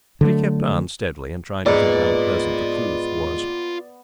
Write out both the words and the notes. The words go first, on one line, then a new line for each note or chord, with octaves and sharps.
But he kept on steadily and tried to think how pleasant the coolth was.
D3 F#3 A3
G#2 B3 F4 D5 A#5